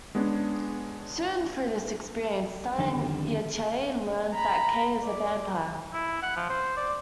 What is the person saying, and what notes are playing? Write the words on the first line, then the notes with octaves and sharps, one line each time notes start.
Soon, through this experience, Son and Yi-Che learn that Kei is a vampire.
G#3 B3 C#4 D4 G#4
F2 D3 D#3 G3 A4
A#5 B5
D5
E4
F#5
F3
C5
D5